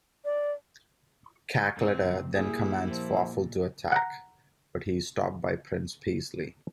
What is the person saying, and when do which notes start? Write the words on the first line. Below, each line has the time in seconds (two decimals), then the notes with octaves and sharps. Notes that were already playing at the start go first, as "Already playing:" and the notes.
Cackletta then commands Fawful to attack, but he is stopped by Prince Peasley.
0.25 D5
1.77 G2 A#2 C4
2.34 G3 A#3 E4 G#4
2.88 A#2 F3
3.92 F#5 A#5